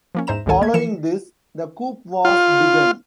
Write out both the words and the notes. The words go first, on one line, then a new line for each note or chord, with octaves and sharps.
Following this, the coup was begun.
F3 A#3 C#4
E2 G#2 C5 E5 A#5 E7
G#1 C#2 G#2 D#3 A4 G#5
A#3 G#6
E3 F3 C#7 E7
F4